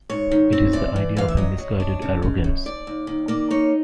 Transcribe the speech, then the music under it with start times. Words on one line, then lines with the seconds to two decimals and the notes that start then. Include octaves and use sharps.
It is the idea of a misguided arrogance.
0.10 G#2 C#5
0.32 D#3
0.53 C4
0.73 E3 D5
0.96 E3
1.17 E3 F5
1.28 E5
1.37 F#3 D#5
1.58 F#3
1.80 D4
2.02 C#3
2.22 C#3
2.44 F#2
2.66 D#2 D5
2.87 D#2
3.07 D#3
3.28 A#3 D5
3.51 D#4 C#5